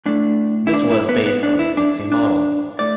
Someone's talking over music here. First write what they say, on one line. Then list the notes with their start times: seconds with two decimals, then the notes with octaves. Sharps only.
This was based on existing models.
0.06 A2 A3 D4
0.67 E4
0.73 D4
0.91 E4
1.09 B3
1.26 B3
1.43 D4
1.59 E4
1.77 D4
2.12 D4
2.79 A2 A3 D5